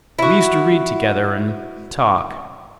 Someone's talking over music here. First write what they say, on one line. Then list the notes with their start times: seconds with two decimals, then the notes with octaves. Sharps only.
We used to read together and... talk.
0.19 E4 F#4